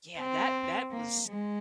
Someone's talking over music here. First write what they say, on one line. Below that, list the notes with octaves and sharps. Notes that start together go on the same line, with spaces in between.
Yeah, that that was
C4
A#3
G#3